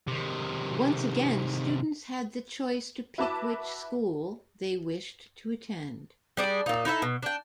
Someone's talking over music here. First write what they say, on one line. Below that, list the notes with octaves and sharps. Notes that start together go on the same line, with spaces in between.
Once again, students had the choice to pick which school they wished to attend.
C3 D#3
E4 F#4 B4 E5 A5 D6
G3 D4 G#4
A#2 D#4
D#4 E4 A4 E5
B2
D4 G5